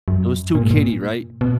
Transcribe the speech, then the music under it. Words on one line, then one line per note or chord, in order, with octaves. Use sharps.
It was too kiddy, right?
F#2
A#2
G#2
A#2
B2